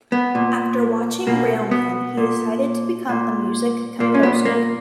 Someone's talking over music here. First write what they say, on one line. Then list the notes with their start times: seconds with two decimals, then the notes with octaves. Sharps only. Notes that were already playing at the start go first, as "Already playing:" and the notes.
After watching "Railman", he decided to become a music composer.
0.12 B3
0.35 A#2
1.27 B2 A#3
1.71 B3
2.17 A#2
3.09 A#2
4.00 A#2 A#3
4.14 C#4
4.23 B3
4.45 A#3